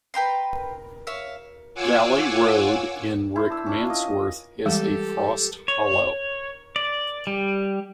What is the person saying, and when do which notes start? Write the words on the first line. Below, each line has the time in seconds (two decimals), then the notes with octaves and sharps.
Valley Road in Rickmansworth has a frost hollow.
0.14 B4 G5 A#5 C6
1.07 C#5 E5 F5
1.74 F4 C#5 F#5 G#5 D6 E6
3.36 E4 C5
3.50 D4 E6
3.66 C#4 D4
3.85 F4 D#5
4.08 D#5
4.66 E3 G3 G#3 G4 A4
5.68 C#5
6.76 D5
7.27 G3